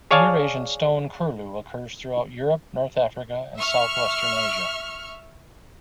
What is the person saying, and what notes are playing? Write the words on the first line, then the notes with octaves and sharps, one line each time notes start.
The Eurasian stone curlew occurs throughout Europe, north Africa and southwestern Asia.
G#4 C#5 D5 F5 G#5 A5
E5 C#6 F6